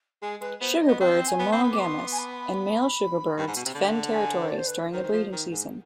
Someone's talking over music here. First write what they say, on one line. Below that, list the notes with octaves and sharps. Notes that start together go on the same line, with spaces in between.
Sugarbirds are monogamous, and male sugarbirds defend territories during the breeding season.
G#3 G#4
G#3 B4
B3 C5
D#5
B3
C4 G5
G#5
B3
C4 B5
B3
D6
C6
G#5
B5
G2
G#2
B2
C3
D3
G#5
C5
D5
C5
B4
D#3 C5
D#3
F3
D#3
G#2